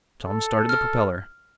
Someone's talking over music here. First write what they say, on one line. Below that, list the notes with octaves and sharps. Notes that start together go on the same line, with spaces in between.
Tom started the propeller.
A4
F6